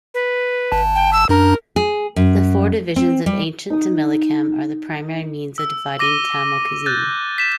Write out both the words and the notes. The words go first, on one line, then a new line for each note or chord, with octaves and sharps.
The four divisions of ancient Tamilakam are the primary means of dividing Tamil cuisine.
B4
G1 A5
G5
E6
F#2 D4 A#4 A#5
G#4
F#2
C4
G3
D#4 D#6
E6
D6 A#6 D#7 G7
F#6 G6 A6
B6 E7